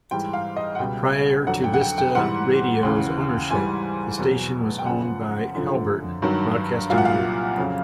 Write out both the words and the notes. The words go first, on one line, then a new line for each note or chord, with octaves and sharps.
Prior to Vista Radio's ownership, the station was owned by Haliburton Broadcasting Group.
G#2 E3 G3 G5
F5
D#5
F#5
C#2 B2 G3 G5
F2 D3 F#3 F#5
G5
F#5
G5
G5
G#2 E3 G3 F#5
D#2 C#3 E3
G#2 E3 G3 G#5
E2 B2 F#3
G5
F#2 C#3 F3 F#5
F#2 D3 F3
G2 D#3 F#3
C2 A#2 F#3 F5
F#5
F5
F2 C#3 F#3